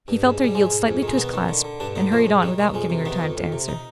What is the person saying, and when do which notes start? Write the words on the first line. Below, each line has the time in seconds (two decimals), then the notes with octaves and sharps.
He felt her yield slightly to his clasp, and hurried on without giving her time to answer.
0.08 G2
0.24 G#2
0.40 G#2 G3
0.55 G#2 G#3
0.70 G#2
0.86 F2
1.02 D#3
1.08 G#3
1.18 D#3 B3
1.33 D#3
1.49 D3
1.64 D3
1.80 G2 D4
1.95 D3 D#4
2.12 D#3 F3
2.27 G#2
2.43 D#3 G3
2.58 D#3 G3
2.74 F2 G#3
2.90 C3
3.05 D#3 B3
3.21 F2
3.37 F2
3.52 C3
3.68 D#4